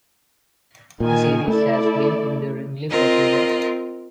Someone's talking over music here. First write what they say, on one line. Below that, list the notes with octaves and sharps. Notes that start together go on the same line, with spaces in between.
The series has been enduringly popular.
A#2 D#3 G#5
A3 E4 A4 D5
C4 F4 A#4 D#5